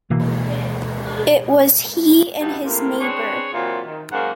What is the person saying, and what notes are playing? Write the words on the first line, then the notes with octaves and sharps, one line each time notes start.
It was he and his neighbour.
B2 E3 A#3
G2 B2 D#4 E4
A2 C3 A#3
C4 D4 G#4 B4 C#5
A#2 E3 F#3 C4 F4
D#3
G#2 F#3 A#3 C#4 F#5